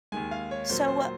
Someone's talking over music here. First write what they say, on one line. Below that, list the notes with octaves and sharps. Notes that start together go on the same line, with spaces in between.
So, uh
D#2 D#3 G#3 G#5
F5
C#5
A#2 F#3 A#3 C5
C5